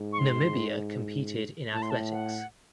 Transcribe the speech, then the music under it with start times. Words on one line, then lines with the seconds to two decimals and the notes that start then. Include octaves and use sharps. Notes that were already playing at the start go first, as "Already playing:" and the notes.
Namibia competed in athletics.
Already playing: G#2
0.13 C#6
0.19 C6
1.73 A2 A5
1.82 C6
1.90 A5
2.12 F#5